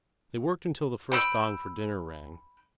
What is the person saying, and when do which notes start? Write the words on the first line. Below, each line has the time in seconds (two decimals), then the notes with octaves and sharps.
They worked until the first gong for dinner rang.
1.12 G5 B5 E6